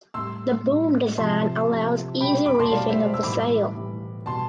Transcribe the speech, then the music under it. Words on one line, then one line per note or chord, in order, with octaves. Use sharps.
The boom design allows easy reefing of the sail.
A2 G3 C6 E6
A2 G3
C3 F3 A5 C6
C3 F3
B2 G3 G5 B5
B5 D6
A5 C6
B2 G3 D5 F5
C5 E5
E6
A2 E3 G3 B5 D6
A2 E3 G3
B2 G3 A5 C6